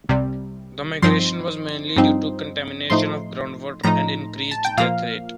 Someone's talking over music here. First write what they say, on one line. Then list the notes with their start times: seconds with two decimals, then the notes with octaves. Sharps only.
The migration was mainly due to contamination of groundwater and increased death rate.
0.09 C2 C3 G3
1.02 G2 F3 C4 D#4 C6
1.96 G2 F3 C4 D#4
2.90 A2 F3 A3 D#4 C6
3.83 A2 F3 A3 D#4 A#5
4.51 A5
4.65 G5
4.77 A#2 F3 A#3 F5